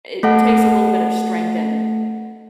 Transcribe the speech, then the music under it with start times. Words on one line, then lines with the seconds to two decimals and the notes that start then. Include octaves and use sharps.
it takes a little bit of strength and
0.23 A3 A4 F#5